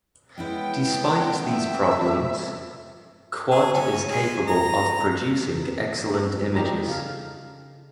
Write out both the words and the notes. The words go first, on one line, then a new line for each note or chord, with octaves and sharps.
Despite these problems, Quad is capable of producing excellent images.
G#3 B3 C#4 E4 G5
E5
G#4
C#4
G#3
A#5
D#4 G4 A4 D5 A#5
C#3 F5